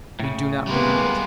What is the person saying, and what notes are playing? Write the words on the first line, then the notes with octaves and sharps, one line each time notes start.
We do not believe it.
A2 C#3
G3 G#3 A#3 B3